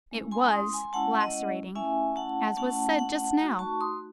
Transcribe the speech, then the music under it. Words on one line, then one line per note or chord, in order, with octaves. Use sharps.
"It was lacerating," as was said just now.
G#3 C#4 E4
G#5 C6
C6 D#6
G#5 C6
G#3 C#4 E4 F#5 A5
D#5 F#5
A3 C#4 E4 E5 G#5
F#5 A5
A3 C#4 E4 F#5 A5
F#5 A5
A3 D#4 F#4
A5 C#6
C6 D#6